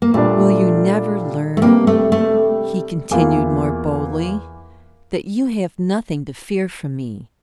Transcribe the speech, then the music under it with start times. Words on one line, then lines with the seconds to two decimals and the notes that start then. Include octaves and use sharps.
Will you never learn,' he continued more boldly, 'that you have nothing to fear from me?
0.02 A#3
0.14 A#2 G3 A3 D4
1.57 A3
1.62 C3 G3 A#3 D4 G4
1.87 A3
2.12 A3
3.11 E2 E3 A#3 F4